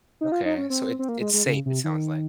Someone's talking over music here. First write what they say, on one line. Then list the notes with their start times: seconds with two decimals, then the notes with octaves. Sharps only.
Okay. So it it's safe, it sounds, like.
0.21 D#4
0.32 F4
0.45 D#4
0.58 C#4
0.70 C4
0.99 C4
1.09 A#3
1.21 G#3
1.34 G#3
1.46 C#3
1.66 C3
1.84 D#3